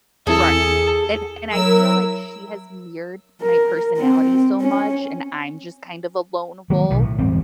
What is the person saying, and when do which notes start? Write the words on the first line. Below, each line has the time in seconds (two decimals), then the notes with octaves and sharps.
Right, an and I feel like she has mirrored my personality so much, and I'm just kind of a lone wolf.
0.27 E2 C4 E4 G#4 A4
1.52 F#3 E4 A#4 E6
3.42 A#4
3.98 C4
4.61 C#4
6.70 D#3 F#3 G#3 A#3
6.90 B1 C3 D#3
7.02 A2
7.18 G1 E2 G#3 C4